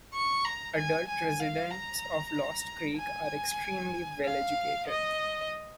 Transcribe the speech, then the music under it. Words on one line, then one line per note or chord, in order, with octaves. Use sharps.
Adult residents of Lost Creek are extremely well educated.
C#6
A#5
G#5
G#5
F5
A#5
G#5
F5
D#5